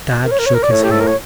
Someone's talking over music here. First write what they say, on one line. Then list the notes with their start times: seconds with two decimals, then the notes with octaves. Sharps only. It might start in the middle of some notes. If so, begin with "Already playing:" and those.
Tad shook his head.
0.24 A#4
0.31 C#5
0.38 A#4
0.45 C#5
0.54 A#4
0.62 D5
0.70 A2 C#5
0.83 G4
0.90 A4
1.00 A#4
1.07 C#5